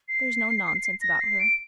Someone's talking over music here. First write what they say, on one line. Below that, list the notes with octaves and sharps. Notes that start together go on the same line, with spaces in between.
"There is no nonsense about her."
C7
A#6
C7
D7